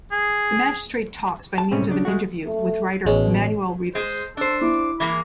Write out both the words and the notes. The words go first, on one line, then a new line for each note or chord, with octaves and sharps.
The magistrate talks by means of an interview with writer Manuel Rivas.
G#4
A5
A2 C3 G3 C4 C#4
C#3 D4
G#3 A3 F#4
A3
A1 B2 G#3 C#4
G#3 C5
D4 A4 C5
E4 D6
E3 G#3 A#3 B5